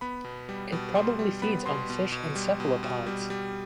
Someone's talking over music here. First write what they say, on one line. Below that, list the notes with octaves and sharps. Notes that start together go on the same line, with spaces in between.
It probably feeds on fish and cephalopods.
B3 B5
B2
G3
B2
G3 C6
G3
B3 B5
B2 C6
B2
B2
G3
B2
B2
G3
G3